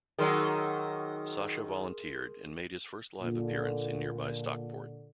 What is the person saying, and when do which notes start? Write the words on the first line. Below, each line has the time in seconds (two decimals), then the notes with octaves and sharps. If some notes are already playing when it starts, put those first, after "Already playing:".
Sasha volunteered and made his first live appearance in nearby Stockport.
0.19 D#3 F#3 G#4 A#4 C6
3.21 A#2 D3